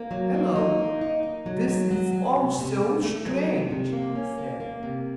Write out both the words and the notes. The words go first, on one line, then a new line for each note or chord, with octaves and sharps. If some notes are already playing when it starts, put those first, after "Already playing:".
"Hello, this is also strange!" he said.
Already playing: A#3
F#3
A#3
D#4
A#3
D#4
D#4
F#3
F#3
F#3
F#3
C3
C3
C3
A3
F#3
C3
C3
A#3
C#4
A#3
A#3
C3